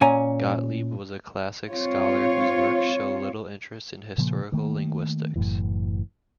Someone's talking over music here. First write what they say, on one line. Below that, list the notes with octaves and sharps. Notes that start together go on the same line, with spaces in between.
Gottlieb was a classics scholar whose works show little interest in historical linguistics.
A#2 C#4 G#5 A#5
C4 F4 C#5
A#2 C#3 F3 A#3
D#3 A3 A#3
F#1 F#2 A2 E3